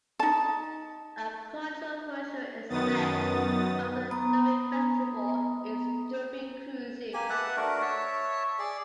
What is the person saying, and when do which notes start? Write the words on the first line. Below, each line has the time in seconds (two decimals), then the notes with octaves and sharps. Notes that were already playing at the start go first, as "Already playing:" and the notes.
A controversial aspect of the Derby Festival is Derby Cruising.
0.19 D#4 A5
2.70 F#2 D#3 B3 D#6 A6
4.11 B3 A#5 D#6
7.14 A#3 G4 G#5
7.29 B4 E5 F#5 A5
7.57 A3 D4 F#4 A#4
7.82 C#5 E5 A5
8.59 G#4 D5